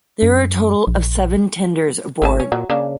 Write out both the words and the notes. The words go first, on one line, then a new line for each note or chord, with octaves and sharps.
There are a total of seven tenders aboard.
F#2
A#1
G#1 A3 A#4 A5
C#4
A#2 F#3
C#3 A#3 D4